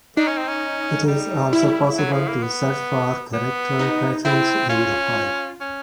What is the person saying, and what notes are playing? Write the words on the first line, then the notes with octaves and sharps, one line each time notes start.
It is also possible to search for character patterns in the file.
D4 D#4
C#4
C4
C#4
G3
E4
F#3
F3
A#3
B3
B3
D#4
C4 E4
C#4 F4
C#4